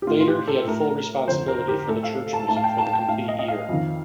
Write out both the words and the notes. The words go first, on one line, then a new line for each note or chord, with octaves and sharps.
Later he had full responsibility for the church music for the complete year.
G4
A2 F4
F4
G4
A4
A2 A#4
F2 D3 C5
A#4
G4
A2 A4
F5
A5
A2 A5
F5
G5
A5
G5
A2 F5
D#5
D#5
F5
F2 D#3